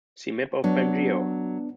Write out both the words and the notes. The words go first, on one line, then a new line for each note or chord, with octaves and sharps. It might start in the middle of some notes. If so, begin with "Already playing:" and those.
See map of Bengeo.
F#3 B3 D4